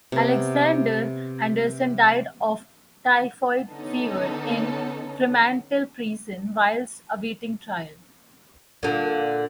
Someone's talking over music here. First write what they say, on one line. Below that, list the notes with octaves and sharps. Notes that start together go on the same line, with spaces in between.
Alexander Anderson died of typhoid fever in Fremantle Prison whilst awaiting trial.
C3 B3
D3 B3 C#4 D#4 A4
A#2 D3